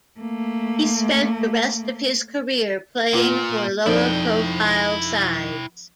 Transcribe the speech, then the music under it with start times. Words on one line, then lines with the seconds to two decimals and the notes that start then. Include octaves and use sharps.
He spent the rest of his career playing for lower profile sides.
0.20 A3 A#3
3.13 A#2 A#3 F4 B4
3.86 F2 F3 D#4 E4 C5 D5 G5